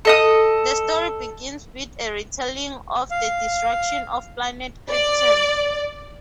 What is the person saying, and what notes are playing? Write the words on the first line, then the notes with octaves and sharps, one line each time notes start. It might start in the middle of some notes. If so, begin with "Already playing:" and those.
The story begins with a retelling of the destruction of planet Krypton.
A4 D#5 D#6
F5
D5